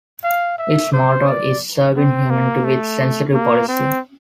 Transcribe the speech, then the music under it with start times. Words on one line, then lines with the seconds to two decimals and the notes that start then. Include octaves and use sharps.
Its motto is Serving Humanity with Sensitive Policing.
0.24 F5
0.59 E5
0.94 C5
1.27 D5
1.97 C4
2.30 A#3
2.65 A3
3.34 A#3
3.69 C4